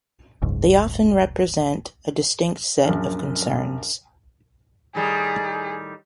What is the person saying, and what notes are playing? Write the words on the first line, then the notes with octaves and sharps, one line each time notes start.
They often represent a distinct set of concerns.
F#1 C#2 G#2
A#1 F#2
A2 D#3 G3 G#4